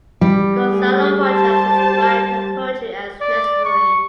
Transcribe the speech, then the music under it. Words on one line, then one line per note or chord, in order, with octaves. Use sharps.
Gonzalo Rojas described her poetry as "necessary".
G3
A3 G#4
G4 C5 A5
D5
C#6